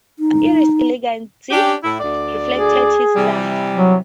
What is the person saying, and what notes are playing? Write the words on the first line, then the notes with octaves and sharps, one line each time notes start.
As one of Durango's founding fathers it's elegance reflected his style.
D#4
C#4 D4 G4
A2 E4
D2 D5
G#4
C3 E3 G3
F#3